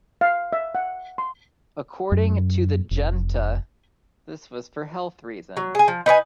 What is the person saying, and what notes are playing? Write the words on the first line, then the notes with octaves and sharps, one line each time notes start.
According to the junta this was for health reasons.
F5
E5
F#5
C6
F#2
F1
F#3
G#4 G#5
F3
D#4 B4 D5 G#5